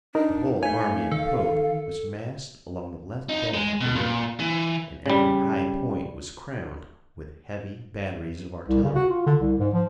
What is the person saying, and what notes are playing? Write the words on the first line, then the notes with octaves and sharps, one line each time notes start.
The whole army of Pope was massed along the left bank of the river and every high point was crowned with heavy batteries of artillery.
D4 D#4 A#4
A3 C#5 F5 G#5
D#3 A4
D#4
G#3
B2
A#2
E3
C#3 G3
C2
C#3
F#4
F4
D3
C2
G#2
F3